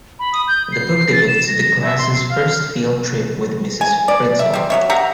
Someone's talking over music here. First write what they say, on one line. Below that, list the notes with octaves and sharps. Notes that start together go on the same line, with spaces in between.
The book depicts the class's first field trip with Ms. Frizzle.
B5
D#6
G6
C7
A6
E7
A#6
E5
C6
C7
F5
G#5
D5
E5
G3 C4
F#3 C#5 E5
G4 E5 F#5 A#5